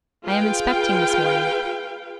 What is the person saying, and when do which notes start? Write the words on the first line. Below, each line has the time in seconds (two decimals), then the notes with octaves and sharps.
I am inspecting this morning.
0.24 F4 G#4 B4 F5 G5